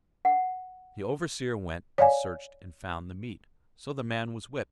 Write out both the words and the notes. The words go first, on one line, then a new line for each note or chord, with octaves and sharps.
The overseer went and searched and found the meat, so the man was whipped.
F#5
C#5 D5 F5 G#5